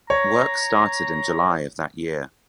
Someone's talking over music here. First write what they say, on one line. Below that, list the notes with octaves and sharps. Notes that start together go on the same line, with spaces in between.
Work started in July of that year.
C#5 A#5